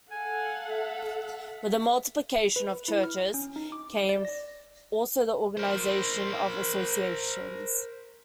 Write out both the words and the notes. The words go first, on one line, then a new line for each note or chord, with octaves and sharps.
With the multiplication of churches came also the organization of associations.
A4 F5 F#5 G#5
E5
B4
E4
F6
C#4
D#4
D6
D5
A#6
A#4 C5